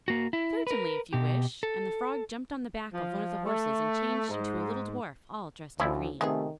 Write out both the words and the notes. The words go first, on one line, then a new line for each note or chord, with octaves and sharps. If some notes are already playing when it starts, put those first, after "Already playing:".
'Certainly, if you wish,' and the frog jumped on the back of one of the horses, and changed into a little dwarf, all dressed in green.
A#3 F#4
E4
A#4 B4
B2 G4
A4
F3
A3
G#2
D2 F3 C#4 E4
C3 D#3 G#3 A3 B3 G#4